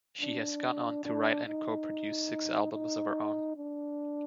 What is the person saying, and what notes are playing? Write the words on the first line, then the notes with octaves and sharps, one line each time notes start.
She has gone on to write and co produce six albums of her own.
D4
D4
D#4
D#4
D4